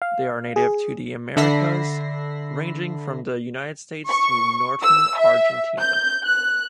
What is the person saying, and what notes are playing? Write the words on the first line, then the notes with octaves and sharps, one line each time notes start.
They are native to the Americas, ranging from the United States to northern Argentina.
F5
G#4
D3 A4 E5 B5 A#6 C7
C#6
E6
E5
G6
F#6